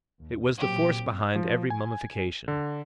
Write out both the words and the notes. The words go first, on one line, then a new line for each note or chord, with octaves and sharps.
It was the force behind every mummification.
D#2
A#2 F#3 C4 G4
F3
G#5
D3